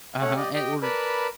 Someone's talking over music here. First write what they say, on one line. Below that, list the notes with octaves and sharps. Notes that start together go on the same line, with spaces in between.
Uh-huh, and or
A3 C#4 C#5 F#5
G4 D5 D#5
G4 D#5 G5
A#4 B4 D5 A5 B5